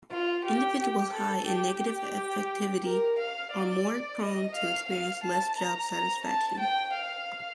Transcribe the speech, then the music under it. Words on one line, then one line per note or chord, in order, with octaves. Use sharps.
Individuals high in negative affectivity are more prone to experience less job satisfaction.
F4
G4
G4
A4
G4
A#4
F5
D5
D#5
F5
F5
A5
A#5
A#5
A5
G5
F5